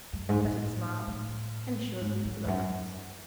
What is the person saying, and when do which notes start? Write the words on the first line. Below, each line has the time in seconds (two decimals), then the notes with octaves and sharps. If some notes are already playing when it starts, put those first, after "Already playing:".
But it smiles--it assures me of deliverance.'
0.13 F#2
0.29 G#2
0.44 A2
1.07 A2
2.01 G#2
2.25 G#2
2.44 E2
2.48 F#2